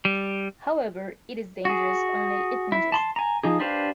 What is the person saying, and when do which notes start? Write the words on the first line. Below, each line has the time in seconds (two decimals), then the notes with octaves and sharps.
However, it is dangerous only if ingested.
0.05 G3
1.65 F#4 G#4
2.72 E4
2.92 A5 B5 C6
3.16 G#5 A#5
3.43 F3 D#4 G#4
3.60 D4 G4 B4 C5 F5